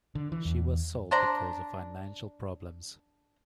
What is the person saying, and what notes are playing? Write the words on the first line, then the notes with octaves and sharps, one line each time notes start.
She was sold because of financial problems.
D3
E3
E2
D4 C5 D5 A#5